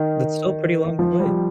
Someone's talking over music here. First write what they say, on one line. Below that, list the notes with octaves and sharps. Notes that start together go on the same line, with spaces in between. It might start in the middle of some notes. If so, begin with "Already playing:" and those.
That's still a pretty long flight.
Already playing: D#3
F3
G3